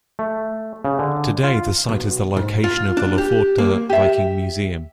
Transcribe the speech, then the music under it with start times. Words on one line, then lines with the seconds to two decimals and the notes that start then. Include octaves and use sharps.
Today the site is the location of the Lofotr Viking Museum.
0.19 A3
0.85 C#3
0.99 D3
1.44 F4
1.89 B1
2.37 G#2
2.64 F4
2.97 D4
3.18 G4
3.58 A#3
3.89 G4 E5